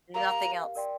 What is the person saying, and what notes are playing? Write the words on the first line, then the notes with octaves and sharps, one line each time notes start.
Nothing else.
G4 A#4 F5 A#5
A#4 D5 G5 C6